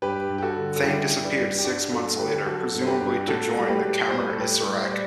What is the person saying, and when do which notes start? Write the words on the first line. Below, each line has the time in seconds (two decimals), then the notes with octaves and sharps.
Thanh disappeared six months later, presumably to join the Khmer Issarak.
0.02 G2 G4 B4
0.29 G2
0.38 G4
0.42 F#4 A4
0.56 D3
0.76 A4
0.83 G3 E4 G4
1.11 G2
1.24 B4 D5
1.38 G2
1.58 G4
1.64 G2 D4 F#4
1.92 G2 F#4 A4
2.19 D3 G4 B4
2.34 G4
2.46 F#3 F#4 A4
2.73 G2
2.81 C5
2.87 G4 B4
3.00 G2
3.27 A2 F#4 A4
3.55 G3
3.68 G4 B4
3.82 G3
4.09 A2 C5
4.20 B4
4.30 A4
4.36 A2 G4 B4
4.63 G3
4.81 C5
4.90 A2 B4 D5